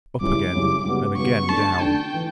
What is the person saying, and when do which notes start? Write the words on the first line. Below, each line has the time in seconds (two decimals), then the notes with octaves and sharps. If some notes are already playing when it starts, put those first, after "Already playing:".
Up again, and again down.
0.21 F#2 C#3 G3 C#4 E4 D6
0.53 F#2 C#3 G3 C#4 E4
0.84 C#3 G3 B3 F#4
1.17 C#3 G3 B3 F#4 C#6
1.49 D3 A3 D4 A5
1.80 D3 A3 D4 G5
2.14 E3